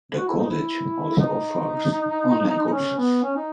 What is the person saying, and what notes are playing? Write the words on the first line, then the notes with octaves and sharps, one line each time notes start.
The college also offers online courses.
F#4
E4
D#4
E4
D#4
C#4
B3
C#4
D#4